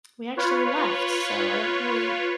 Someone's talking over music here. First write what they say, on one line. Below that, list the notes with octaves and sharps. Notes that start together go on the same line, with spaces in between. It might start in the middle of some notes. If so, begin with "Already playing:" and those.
we actually left, so I don't really
F4 B4 C#5